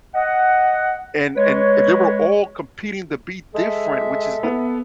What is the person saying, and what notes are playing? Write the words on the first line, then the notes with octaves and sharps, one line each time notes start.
And and they were all competing to be different, which is the
D#5 F#5
G#3 B4 C#5
G#3 A4 E5
B3